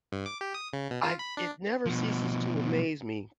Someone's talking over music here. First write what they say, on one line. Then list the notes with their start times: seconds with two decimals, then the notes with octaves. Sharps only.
I it never ceases to amaze me
0.12 G2
0.26 D6
0.41 G4
0.54 D#6
0.73 C#3
0.91 B2
1.03 F4
1.19 B5
1.37 D4
1.86 B2 F3